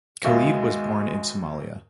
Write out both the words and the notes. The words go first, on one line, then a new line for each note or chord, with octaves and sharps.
Khalid was born in Somalia.
D#2 G#2 B2 G#3 F#4 E5 F5